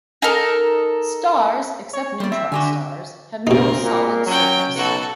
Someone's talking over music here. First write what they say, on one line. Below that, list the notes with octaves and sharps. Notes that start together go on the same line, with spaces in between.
Stars, except neutron stars, have no solid surface.
D#4 A4 A#4
C#5
G3 C5 D5
C4 E5
D3 F#4 G4 G#5
D2 B2 C4 D#4 A#4
A#2
F#3 C#4 G5
B1 F#4 A4